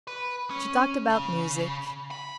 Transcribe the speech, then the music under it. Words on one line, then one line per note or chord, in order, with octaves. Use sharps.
She talked about music.
B4
C#4
C#3
B5